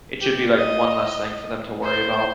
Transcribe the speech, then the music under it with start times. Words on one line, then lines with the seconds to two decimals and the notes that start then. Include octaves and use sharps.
it should be, like, one less thing for them to worry about.
0.22 G4
0.56 D#5
1.83 C5